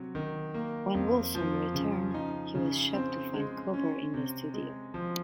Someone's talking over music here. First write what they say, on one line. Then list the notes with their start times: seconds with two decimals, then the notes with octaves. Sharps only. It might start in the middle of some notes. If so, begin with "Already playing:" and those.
When Wilson returned, he was shocked to find Kooper in the studio.
Already playing: C3 F#3
0.15 D#3
0.54 A#3
0.94 F2
1.35 F3
1.74 C#3
2.14 D#4
2.55 C#3
2.94 C4
3.34 G#3
3.74 C#4
4.14 C3
4.54 G#3
4.94 F3